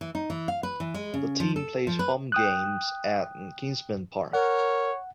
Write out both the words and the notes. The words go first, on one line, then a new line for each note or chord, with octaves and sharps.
The team plays home games at Kinsmen Park.
E3
D#4
E3
F5
B4
E3
G#3
C#3
F3
A4
F3
B4
G5 D#6 F#6
A#4 C#5 F#5